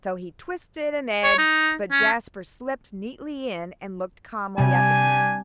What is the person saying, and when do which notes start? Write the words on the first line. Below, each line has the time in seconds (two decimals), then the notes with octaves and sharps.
So he twisted and edged, but Jasper slipped neatly in, and looked calmly up at him.
1.24 C#5
1.39 D#4
1.92 C#4
4.58 C3 G3 D4 G4 G#5